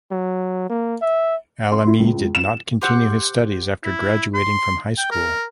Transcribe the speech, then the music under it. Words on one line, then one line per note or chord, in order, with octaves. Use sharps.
Alami did not continue his studies after graduating from high school.
F#3
A#3
E5
C6
E4
C#2
E7
G4 C5 F#5 E6
E4
C6
G5
A#4